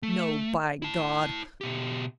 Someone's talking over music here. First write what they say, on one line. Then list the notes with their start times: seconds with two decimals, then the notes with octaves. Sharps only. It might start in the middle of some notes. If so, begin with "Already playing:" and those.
No, by God!
0.03 A3
0.82 E4 A5
1.61 B2 G4